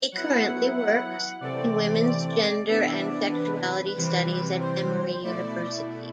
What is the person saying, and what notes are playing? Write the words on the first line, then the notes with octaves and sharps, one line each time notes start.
He currently works in Women's, Gender and Sexuality Studies at Emory University.
F#3 B3 E4 F#5
F#5
C3 E3 A3 C4 D5
D5
D5
C3 E3 B3 D4 E5
D5
B4
C3 E3 G3 C4
C5
B2 A3 E4 D5